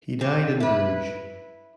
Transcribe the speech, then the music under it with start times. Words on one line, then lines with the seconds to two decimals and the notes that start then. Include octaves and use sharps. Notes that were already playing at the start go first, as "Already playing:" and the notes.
He died in Bruges.
0.21 C4
0.60 E4 B4